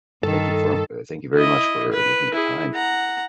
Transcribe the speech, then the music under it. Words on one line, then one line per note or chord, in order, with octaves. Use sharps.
thank you for thank you very much for making the time.
G2 D#3 A4
E4 D#5
B4
E4 G#4
F#5 A#5